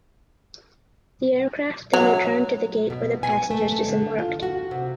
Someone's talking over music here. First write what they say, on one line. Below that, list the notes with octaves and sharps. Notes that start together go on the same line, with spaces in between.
The aircraft then returned to the gate where the passengers disembarked.
F#3
B2
G#5
A3
A3
D3
F4
F#4
C3